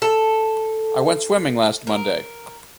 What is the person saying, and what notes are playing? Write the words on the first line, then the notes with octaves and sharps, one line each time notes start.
I went swimming last Monday.
A4
A#4